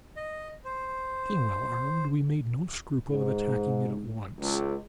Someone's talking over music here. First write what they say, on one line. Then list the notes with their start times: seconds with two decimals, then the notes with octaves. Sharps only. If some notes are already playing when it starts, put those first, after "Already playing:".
Being well armed, we made no scruple of attacking it at once.
0.16 D#5
0.65 C5
3.09 G#2
4.39 C#2